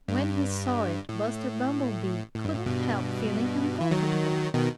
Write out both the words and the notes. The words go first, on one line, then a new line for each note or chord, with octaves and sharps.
When he saw it Buster Bumblebee couldn't help feeling uncomfortable.
G2
A2
A2
G2
A2
G2 B2
E3
D#3 F#3
B2 D#3